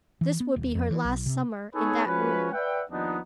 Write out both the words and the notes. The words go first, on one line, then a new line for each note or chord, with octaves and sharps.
This would be her last summer in that room.
E3
B3
D#1
F2
E3
B1
C3
B3 D#4 G#4 A4 B4 C#5
F3 G#3 C#4 F#4 B4
B4 D5 E5 F#5 G5
D#2 F3 B3 D4 D#4